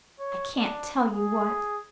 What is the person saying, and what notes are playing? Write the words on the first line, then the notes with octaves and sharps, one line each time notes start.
I can't tell you what.
C#5
D4
G#4